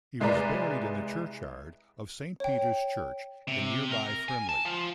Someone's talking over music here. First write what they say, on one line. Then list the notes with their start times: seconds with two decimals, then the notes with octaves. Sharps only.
He was buried in the churchyard of Saint Peter's Church in nearby Frimley.
0.20 C2 G#3 G#4 B4 D5 A#5
2.40 C#5 G5
3.48 C3
3.91 A#4
4.29 G#5
4.49 A5
4.65 F3